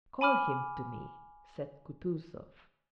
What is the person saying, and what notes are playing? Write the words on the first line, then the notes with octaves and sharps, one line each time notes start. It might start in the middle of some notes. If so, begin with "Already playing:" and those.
"Call him to me," said Kutuzov.
G#5 B5 D6 F6